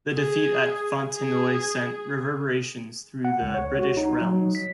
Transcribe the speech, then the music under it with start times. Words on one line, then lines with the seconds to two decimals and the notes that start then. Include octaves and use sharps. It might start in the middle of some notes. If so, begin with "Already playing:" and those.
The defeat at Fontenoy sent reverberations through the British realms.
0.15 G#4
1.16 G#4
3.25 F#5
3.42 C#2
3.54 C#5
3.79 F#4
3.97 D#4
4.21 F#3
4.55 B6